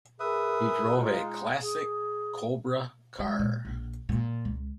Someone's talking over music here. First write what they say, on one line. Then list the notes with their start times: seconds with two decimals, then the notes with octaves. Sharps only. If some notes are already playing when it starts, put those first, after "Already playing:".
He drove a classic Cobra car.
0.20 G#4 A#4 B4 E5 D#6
0.97 G#3 D#4 F4
1.61 G#4
3.19 G#3
3.39 A#2
3.65 A#1
4.09 A#2
4.45 C#2